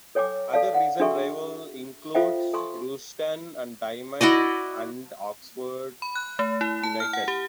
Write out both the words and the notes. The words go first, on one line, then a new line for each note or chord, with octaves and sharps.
Other recent rivals include Rushden and Diamonds and Oxford United.
A4 C#5 G5 G#5 D6
A4 D5 F5 A5
F#5
D4 F#4 G#4 A4 E5 C#6
F4 A4 C5 E5 F5 G5
A4 G#5 A#5 C6 C#6
E4 F#4 D5 D#5
B5
F#6
A3
E4
A5
F6
F#5
G4